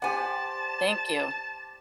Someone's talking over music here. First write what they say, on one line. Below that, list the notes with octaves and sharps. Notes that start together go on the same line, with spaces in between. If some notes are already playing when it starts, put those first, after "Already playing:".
Thank you.
G4 C5 D5 F#5 G#5 A5